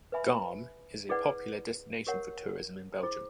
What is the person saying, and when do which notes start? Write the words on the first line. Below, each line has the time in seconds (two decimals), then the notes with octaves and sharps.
Gaume is a popular destination for tourism in Belgium.
0.12 B4 E5 G#5 B5
1.09 E4 G#4 B4 D5 F#5
2.07 G4 A#4 C#5 F#5
3.02 E4 G#4 C5